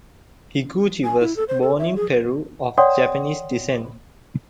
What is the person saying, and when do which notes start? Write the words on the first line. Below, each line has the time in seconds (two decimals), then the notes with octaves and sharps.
Higuchi was born in Peru of Japanese descent.
1.04 G#5
1.21 E4
1.36 A4
1.48 C5
1.62 A4
1.79 E5
1.96 G#4
2.78 C#5 D5 F#5 G5 C6 D#6